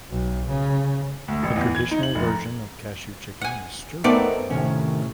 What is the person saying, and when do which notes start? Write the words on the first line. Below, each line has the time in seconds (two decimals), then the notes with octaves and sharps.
The traditional version of cashew chicken is stir-fried in a wok.
0.10 B1
0.49 C#3
1.28 D2
1.43 A1
1.56 E2
1.75 G#6
1.91 D#4
2.03 F#7
2.15 F1
2.27 A#5
3.41 F#5 G#5
4.04 A3 B3 C4 D#4 A4 A#4 D5
4.50 A2 C3 D#3 C#4